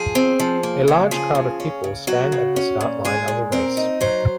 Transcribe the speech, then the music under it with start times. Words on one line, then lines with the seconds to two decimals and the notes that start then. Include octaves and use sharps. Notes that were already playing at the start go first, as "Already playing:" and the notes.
A large crowd of people stand at the start line of a race.
Already playing: F3 G#4
0.15 C4
0.40 F3
0.63 A#3
0.88 C#3
1.11 F3 G#4
1.35 C#3
1.60 C#4
1.84 C#3
2.07 F#3 F#4
2.32 C#3
2.56 C#4
2.81 A#2
3.05 G#3 G#4
3.28 A#2
3.52 C4 A#4
3.77 D#4
4.01 F#3 C5